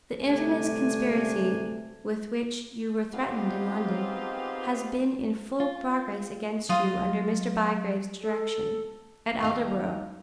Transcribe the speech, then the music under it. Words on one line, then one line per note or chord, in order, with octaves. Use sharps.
The infamous conspiracy with which you were threatened in London has been in full progress against you under Mr. Bygrave's direction, at Aldborough.
G1 C3 A3 D4 G#5
B3 C4 D#4 F4 G4 G#4
F4
F#3 F4 D#5 F5
A4
D#2 D#4 F5